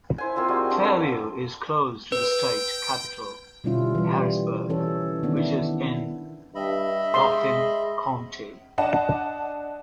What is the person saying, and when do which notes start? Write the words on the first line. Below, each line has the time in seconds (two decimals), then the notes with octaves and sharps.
Fairview is close to the state capital, Harrisburg, which is in Dauphin County.
0.18 E4 C5 G#5
0.36 A#3 C4 F4 E6
0.48 G3 G#3 F#4
0.70 C4 D4 D#5
0.82 A#3 A4 D6
2.12 B4 G5
3.64 B2 D3 G3 C#4 E4 F4
3.95 E3 G3
4.69 E3 C#4 A4 C#5
5.23 D#3 B3 D4
5.37 E4
6.55 G2 D#5 E5 B5
7.14 G#3 C6
8.78 D4 D#5 F#5 A5